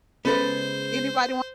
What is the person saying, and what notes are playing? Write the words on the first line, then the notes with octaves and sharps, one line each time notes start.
Anybody want?"
C#3 G#3 B3 A4 B4 C5